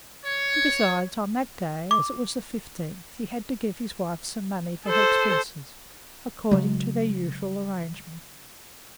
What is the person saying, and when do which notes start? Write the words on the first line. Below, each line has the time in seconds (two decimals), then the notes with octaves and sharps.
And besides, on that day, as it was the fifteenth, he had to give his wife some money for her expenses, according to their usual arrangement.
0.24 C#5
1.91 D6
4.86 A4 C5
6.51 C#3 F#3 G#3